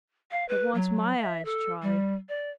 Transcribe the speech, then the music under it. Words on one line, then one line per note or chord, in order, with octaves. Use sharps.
It wants my eyes, Charley.'
F5
B4
F#3
E5
A4
G3
D5